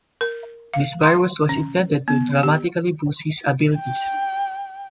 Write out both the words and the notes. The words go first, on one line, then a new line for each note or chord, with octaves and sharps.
This virus was intended to dramatically boost his abilities.
A#4
F5
C6
C#4
B3
G4
G5